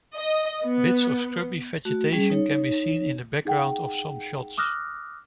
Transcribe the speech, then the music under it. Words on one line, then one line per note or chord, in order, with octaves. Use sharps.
Bits of scrubby vegetation can be seen in the background of some shots.
D#5
B3
A3 F#4
G3 C#4 G#4
D#4 C#5
D#4 G#4 F#5 G5
D6 D#6 F6 F#6 A#6